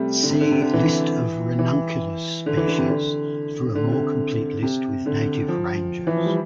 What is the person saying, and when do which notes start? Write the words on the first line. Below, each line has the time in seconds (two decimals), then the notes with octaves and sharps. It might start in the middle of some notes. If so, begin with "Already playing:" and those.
See List of "Ranunculus" species for a more complete list with native ranges.
Already playing: C3 G3 A3
0.23 D3
0.30 C3
0.41 D3
0.51 C3
0.61 D3
0.73 E3
1.59 E3
2.46 D3
2.57 E3
2.68 D3
2.78 C3
2.89 D3
3.75 D3
3.84 C3
3.92 D3
4.63 C3
5.06 D3
5.48 F3
6.07 E3
6.17 F3
6.26 G3